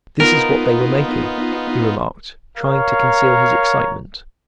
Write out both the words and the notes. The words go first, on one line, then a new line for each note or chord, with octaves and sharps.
"This is what they were making," he remarked, trying to conceal his excitement.
B3 D#4 F4 A#4
A#4 C#5 F5 A#5